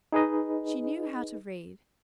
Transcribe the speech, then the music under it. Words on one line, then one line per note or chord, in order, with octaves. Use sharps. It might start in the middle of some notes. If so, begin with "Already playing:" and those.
She knew how to read.
D#4 G#4 B4 D#5